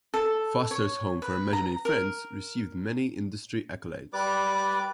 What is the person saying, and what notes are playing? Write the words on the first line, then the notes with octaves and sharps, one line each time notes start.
"Foster's Home for Imaginary Friends" received many industry accolades.
A4
C#5
B4
A#5
A#4
G3 B4 D5 D6